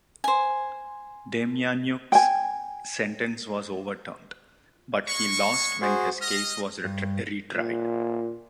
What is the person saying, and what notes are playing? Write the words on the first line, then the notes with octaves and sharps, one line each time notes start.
Demjanjuk's sentence was overturned, but he lost when his case was retried.
C5 G#5
G5 G#5
G#3 C#6
F#4 G#4 C5
D#5 F6
G2
A#2